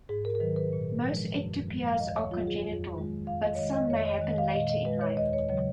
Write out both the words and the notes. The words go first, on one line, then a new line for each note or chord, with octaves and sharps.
Most ectopias are congenital, but some may happen later in life.
G#2 G#4
A#4
A#4
D#3 F#3 B4
B4
A#2
F3 G#3
F#2
F3 G#3
F5
D#2 D#5
C#5
D#3 F#3 F4
G#4
F2
D#3 G#3
F2 F5
D#5
C#5
D#3 G#3 D#5
D#5
F2 C#5
D#5
D#3 G#3 D#5
D#5
F5
A#2 D#5
D#5
G#3 B4
C#5
D#2 D#5
C#5
C#3 F#3 C#5